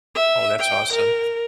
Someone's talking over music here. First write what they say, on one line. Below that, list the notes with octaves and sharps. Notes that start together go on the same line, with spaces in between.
Oh, that's awesome.
E5
G5
A#4